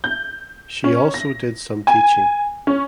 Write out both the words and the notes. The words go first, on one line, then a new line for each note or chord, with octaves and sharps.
She also did some teaching.
G6
C#4
A#6
G#5
C#4